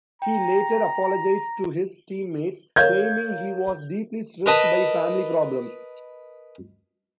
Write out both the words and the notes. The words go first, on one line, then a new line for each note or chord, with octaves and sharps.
He later apologized to his teammates, claiming he was deeply stressed by family problems.
G5 A#5
A#4 C#5 F5 G6 G#6
A#4 B4 D#5 A5 B5